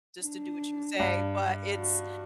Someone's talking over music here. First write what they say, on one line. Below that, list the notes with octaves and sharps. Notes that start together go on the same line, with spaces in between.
just to do what you say, but, it's
D4
G2
F#4